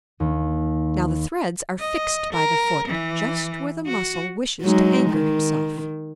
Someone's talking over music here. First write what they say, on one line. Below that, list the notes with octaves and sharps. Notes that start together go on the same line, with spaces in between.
Now the threads are fixed by the foot, just where the Mussel wishes to anchor himself.
D#2
D#5
A#4
E3
F#4
F#3 G#3 D#4
D#3